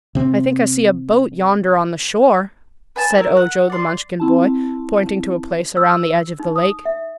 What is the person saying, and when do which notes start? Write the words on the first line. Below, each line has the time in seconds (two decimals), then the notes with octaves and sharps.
"I think I see a boat yonder on the shore," said Ojo the Munchkin boy, pointing to a place around the edge of the lake.
0.15 C3 C4
2.96 B4 G#5 A5
3.18 E4 A#4
3.37 F#5
3.70 D5 C6
4.20 C4 E4 A5
5.77 E6
6.40 D#4
6.56 D#6
6.85 E5